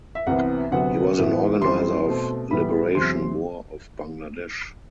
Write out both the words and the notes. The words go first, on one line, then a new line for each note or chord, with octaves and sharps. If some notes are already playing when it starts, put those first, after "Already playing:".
He was an organizer of Liberation War of Bangladesh.
E5
C2 C3 E3 B3 F#5
D2 C3 F#3 B3 F#5
A2 E3 B3
F#2 E3 G3 C4 C6
B2 A3 C4
A2 E3 G3 B3 B5
E2 C3 F#3 C4 C6